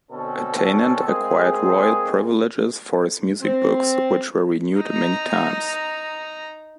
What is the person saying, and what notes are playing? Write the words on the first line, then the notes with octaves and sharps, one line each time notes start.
Attaingnant acquired royal privileges for his music books, which were renewed many times.
B2 D3 C4 C#4 A4
G#3 A#3 C4 G#4
C4
D#4 A#5